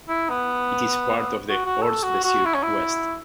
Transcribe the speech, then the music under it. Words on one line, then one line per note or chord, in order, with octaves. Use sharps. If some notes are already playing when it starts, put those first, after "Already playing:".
It is part of the "Ortsbezirk West".
E4
B3
B3
F#4
F#4
A4
F#4
F#4
E4
C#4
E4